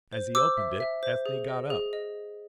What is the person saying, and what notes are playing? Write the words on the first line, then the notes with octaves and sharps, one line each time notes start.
As he opened it, Ethne got up.
C5
C5 D6 E6
E5
E5
C5
G#4
D#5
G#4
D#5